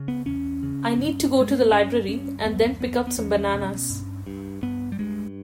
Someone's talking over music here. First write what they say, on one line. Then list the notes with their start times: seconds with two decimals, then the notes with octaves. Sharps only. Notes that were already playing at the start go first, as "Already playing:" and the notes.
I need to go to the library, and then pick up some bananas.
Already playing: C#3
0.08 B3
0.26 E2 C#4
0.63 C#3
0.98 G2
1.36 G2
1.41 G#3
1.51 A#3
1.61 B3
1.72 G2 C#4
2.08 G2 C#4
2.45 E2 B3
2.80 E2 B3
3.07 B3
3.17 E2 C#4
3.54 B2
3.90 G2
4.26 G2
4.62 G2 B3
4.92 G3
4.99 G2 G#3